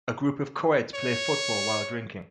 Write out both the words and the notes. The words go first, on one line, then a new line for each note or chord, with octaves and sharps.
A group of coeds play football while drinking.
C#5